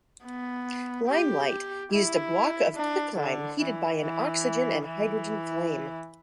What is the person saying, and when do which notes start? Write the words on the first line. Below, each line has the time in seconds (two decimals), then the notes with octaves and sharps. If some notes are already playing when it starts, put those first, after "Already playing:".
Limelight used a block of quicklime heated by an oxygen and hydrogen flame.
0.25 B3
1.08 G4
1.92 E4
2.76 D4
3.17 D3
3.60 E3
4.01 E3
4.84 E3